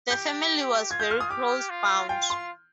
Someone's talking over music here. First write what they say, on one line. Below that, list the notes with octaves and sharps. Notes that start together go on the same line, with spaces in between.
The family was very closely bound.
G4 G6
F4 G#6
G6
F6
D#6
G4 D6
F4
F4 G5
C6